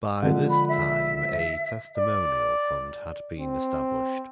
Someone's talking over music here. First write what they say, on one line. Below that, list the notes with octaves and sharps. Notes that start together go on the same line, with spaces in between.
By this time, a testimonial fund had been established.
D3 F3 G#3
B5
E5
D5
C4